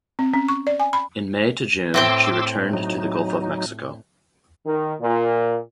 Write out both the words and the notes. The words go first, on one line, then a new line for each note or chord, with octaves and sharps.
In May-June, she returned to the Gulf of Mexico.
C4
C#4
C#6
D5
G#5
B5
A2 C4 G5 C6 D6 E6
F#3 D#4
D#3
A#2